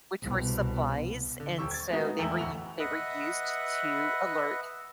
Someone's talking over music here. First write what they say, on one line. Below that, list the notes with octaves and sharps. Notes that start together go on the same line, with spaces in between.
which were supplies, and so, they were u they were used to alert
C2 B2
D3
D#1 G4 C#6 E6
G#6 A6
G#3 A3 B3 D#4 F#4
E2 A3 G5 A#5 E6 F#7
F1 D2 E4 F#5 E6 F7
B4 D#5 E5 F#5